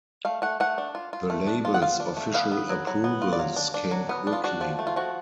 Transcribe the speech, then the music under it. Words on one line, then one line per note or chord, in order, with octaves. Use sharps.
The label's official approvals came quickly.
A3 F5
A3 F#5
A3 F#5
D4
F4
F4
A3
D4
F4
F#5
F4 F5
D4
A3
B3 F5
B3
F#3
F#3
B3
F4
D5
F#3 F5
D4
D4
F#3
B3
D4
F4
D4 F#4
F3
A3
F4
F3 F#4